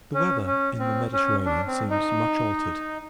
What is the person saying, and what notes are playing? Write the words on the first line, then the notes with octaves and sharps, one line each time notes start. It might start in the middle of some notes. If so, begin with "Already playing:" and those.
The weather in the Mediterranean seems much altered.
C#4
C#4
C4
C#4
D4
C4
D#4